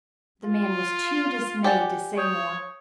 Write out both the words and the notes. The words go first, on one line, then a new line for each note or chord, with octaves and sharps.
The man was too dismayed to say more.
F4
G4 D5 F#5 G#5
C#5 C#6 D#6 G6